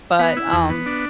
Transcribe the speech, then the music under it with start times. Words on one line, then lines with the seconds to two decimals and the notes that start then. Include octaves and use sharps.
but, um
0.19 B3
0.37 E4
0.53 E2
0.70 B3
0.86 D4